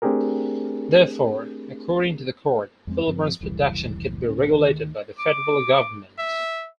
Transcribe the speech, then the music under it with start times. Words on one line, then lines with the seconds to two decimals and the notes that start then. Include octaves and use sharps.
Therefore, according to the court, Filburn's production could be regulated by the federal government.
0.02 A3 C4 D4 G4 G#4 A#4
2.87 F2 G#3 C4
3.07 G2 F3 C4
3.41 F1 C#2 E3 G3
4.24 D2 A2 G3 C#4
4.52 D2 D#3
5.19 D6
6.19 E5